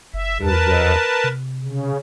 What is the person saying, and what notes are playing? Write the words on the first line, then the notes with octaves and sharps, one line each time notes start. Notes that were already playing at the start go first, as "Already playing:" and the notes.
it was that.
F#1 E5
E2 A#4 B4 A5
C3
C#3